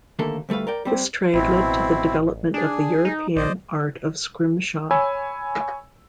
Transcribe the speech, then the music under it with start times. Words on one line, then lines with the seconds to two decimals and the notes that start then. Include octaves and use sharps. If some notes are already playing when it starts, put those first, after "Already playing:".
This trade led to the development of the European art of scrimshaw.
0.19 D#2 D3 A3 A#3 A4
0.49 D2 G3 A3 B4 F5
0.67 A#4 D5 G5
0.85 G3 C4 C5
1.34 A1 B2 C4 E4
2.54 D4 G#4
3.05 D#4
3.36 A#1 C5 D5 D#5
4.91 C#5 G#5 B5 E6